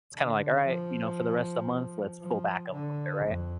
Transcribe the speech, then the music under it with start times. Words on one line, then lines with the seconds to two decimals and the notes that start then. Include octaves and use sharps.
it's, kinda like, "Alright," you know, "for the rest of the month, let's pull back a little bit," right?
0.14 D3
0.65 F3
2.21 F3
2.72 D3
3.24 F2